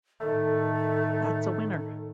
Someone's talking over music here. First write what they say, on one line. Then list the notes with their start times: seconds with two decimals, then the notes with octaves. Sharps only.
That's a winner!
0.21 A2 D#3 A3 A4